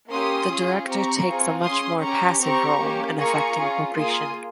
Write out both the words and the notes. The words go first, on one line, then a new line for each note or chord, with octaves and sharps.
The Director takes a much more passive role in affecting Poprishchin.
A#3 C#4 G4 C6 D#6
C#4 F4 G#4
C4 G4 A#5 C#6
C4 F4 G#4
C#4 G#4 C6 D#6
C#4 G4 A#5 C#6
C4 G4 A#5 C#6
A#3 C#4 G4
A#3 F4 G#4 A#5 C#6
C#4 F4 G#4
A#3 F4 G#4 C6 D#6